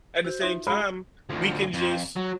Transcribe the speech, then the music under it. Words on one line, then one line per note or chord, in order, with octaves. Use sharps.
at the same time, we can just,
F#4 C5
D#4 F4 E5
G#3 G#4 F5 A#5 B5
D2 F3
F2
F#3